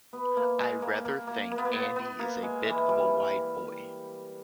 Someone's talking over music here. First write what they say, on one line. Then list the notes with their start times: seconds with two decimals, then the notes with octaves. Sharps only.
I rather think Andy is a bit of a wide boy.
0.13 B3
0.37 A#3
0.58 G#3
0.82 A#3
1.05 A#3
1.27 A#3
1.51 A#3
1.58 B3
1.65 A#3
1.73 B3
1.96 B3
2.19 A#3
2.43 G#3
2.66 E3
2.89 G3